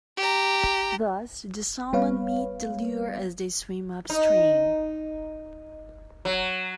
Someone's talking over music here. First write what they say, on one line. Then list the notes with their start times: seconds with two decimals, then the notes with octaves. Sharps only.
Thus, the salmon meet the lure as they swim upstream.
0.17 G4 A#5
1.93 G3 B3 B4 C#5 F5
4.10 D#4
6.25 F#3